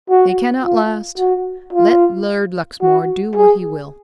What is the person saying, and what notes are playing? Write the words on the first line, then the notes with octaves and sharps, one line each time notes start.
They cannot last--let Lord Luxmore do what he will.
F#4
F4
F#4
F4
F#4
G#4